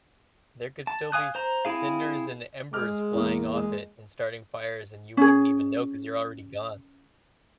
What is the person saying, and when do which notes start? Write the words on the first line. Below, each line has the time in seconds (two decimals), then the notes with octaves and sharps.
There could still be cinders and embers flying off it and starting fires, and you wouldn't even know 'cause you're already gone.
0.87 A5
1.12 F5 G#5 D#6 F#6
1.35 C5 A#5
1.65 C4 E4 G#4 F5
2.73 G#3 D6 F6
3.13 E2 A#3
3.53 G#3
5.17 C#4 G#4